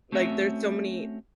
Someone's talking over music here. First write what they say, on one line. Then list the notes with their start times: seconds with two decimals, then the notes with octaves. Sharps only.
Like there's so many
0.12 A3 C4 C#4 F#4 E5